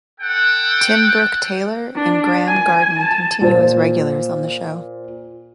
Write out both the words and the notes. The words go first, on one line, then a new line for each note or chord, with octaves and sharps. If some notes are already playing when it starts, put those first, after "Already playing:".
Tim Brooke-Taylor and Graeme Garden continue as regulars on the show.
A4 F#5 G5
D4
G#5
A5
A#2 C5